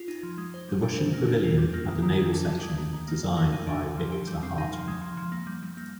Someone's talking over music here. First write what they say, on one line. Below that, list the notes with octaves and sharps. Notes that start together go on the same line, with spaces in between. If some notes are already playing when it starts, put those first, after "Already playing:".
The Russian pavilion had a naval section designed by Viktor Hartmann.
Already playing: F4
D#4
F3
G#3
C5
G3
D4
C5
A#3
D4
F4
G3
A#3
D#3
D#3
G#3
D3
D3
G#3
D#3
D#3
A#3
D5
A#3
D#4
D4
D3
F3
G4
G3
C4
D#4
F3
G#3
F3
F3
A#3
G3
G3
A#3